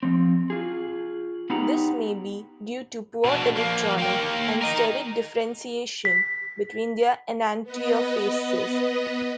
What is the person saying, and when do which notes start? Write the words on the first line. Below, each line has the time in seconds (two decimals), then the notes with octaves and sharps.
This may be due to poor electronic and steric differentiation between their enantiofaces.
0.03 F3 C4
0.50 F4 G#4
1.50 B3 D#4 G4 B4 F#5 A#5
3.25 B2 D4
3.56 F3 A#3
3.98 A#3 G5
4.62 A#4 D#5
6.05 B6
7.63 B3 B4 D#5